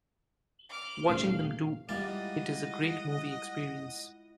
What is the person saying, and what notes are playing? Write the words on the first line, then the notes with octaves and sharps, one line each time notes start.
Watching them do it is a great movie experience.
D6 F6
D#1 A#2 A3 A#3 F5
G3 G#3 A#3 E4 F4 D5 D#5 F#5